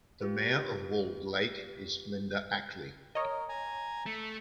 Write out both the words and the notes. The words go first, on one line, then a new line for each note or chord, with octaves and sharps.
The mayor of Walled Lake is Linda Ackley.
F4 G4 B4
A#4 C#5 D#5
G#5 A#5
A3